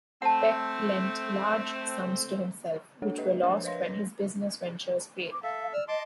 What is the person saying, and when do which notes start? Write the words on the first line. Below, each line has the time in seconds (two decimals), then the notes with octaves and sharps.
Peck lent large sums to himself, which were lost when his business ventures failed.
0.22 A3 C4 F#5 A5
3.02 G#3 A#3 D4 A4 C#5 F#5
3.18 G4 B4 D#5 E5
3.43 F3 D4 A#4 C5 C#5 E5
3.64 B4 C#5 D#5 F5 C6 A#6
5.32 D6
5.43 A4 E5 F5
5.73 D5 E6 F6
5.88 D#5 A5 C6 D6